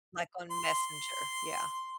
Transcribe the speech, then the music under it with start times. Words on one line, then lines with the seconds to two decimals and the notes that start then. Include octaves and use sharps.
Like, on Messenger. Yeah.
0.51 C6